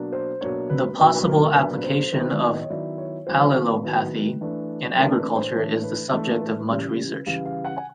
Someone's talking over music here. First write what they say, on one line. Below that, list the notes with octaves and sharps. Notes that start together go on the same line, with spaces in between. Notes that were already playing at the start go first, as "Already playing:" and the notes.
The possible application of allelopathy in agriculture is the subject of much research.
Already playing: B2 F#3 A#3 D4
C5
B2 F#3 A#3 D4 C#5
B4
B2 F#3 A#3 D4 B4
B4
A#4
A#4
B2 F#3 A#3 D4 B4
B4
C5
D#3 F#3 B3 E4 C5
D5
D#5
C#5
D#3 F#3 B3 E4 D5
C#5
D#3 F#3 B3 E4 C5
B4
D#3 F#3 B3 E4
E3 A3 D4
E3 A3 D4 A#4
B4
C5
E3 A3 D4 C#5
B4
E3 A3 D4
C#3 E3 G3
C#3 E3 G3 F5
F5
F#5
G#5